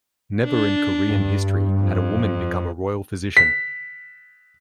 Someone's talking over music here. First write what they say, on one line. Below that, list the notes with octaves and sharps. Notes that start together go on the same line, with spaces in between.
Never in Korean history had a woman become a royal physician.
D4
G2
F2
B6